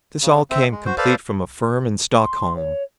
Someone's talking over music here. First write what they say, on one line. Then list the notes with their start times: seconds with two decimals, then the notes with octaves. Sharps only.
This all came complete from a firm in Stockholm.
0.22 C#3
0.51 C4 E5
0.71 G#3
0.86 F#4 C5
0.97 A4 B4 C5 D5 F5
2.16 C6
2.56 C#5